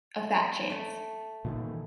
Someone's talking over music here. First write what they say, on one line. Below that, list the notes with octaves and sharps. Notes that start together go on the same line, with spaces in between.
A fat chance!
A3
A#2 D#3 E3